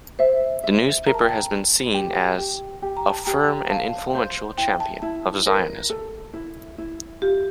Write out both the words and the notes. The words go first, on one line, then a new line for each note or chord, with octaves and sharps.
The newspaper has been seen as "a firm and influential champion of Zionism".
C5 E5
E5
A#4 A#5
A5
G5
A5
A#4
G4
G4
G4
A#5
A5
G4 A#5
F5 A5
C5
E4 G5
A5
E4 A5
A#4 A#5
A4
E4
E4
F4 G4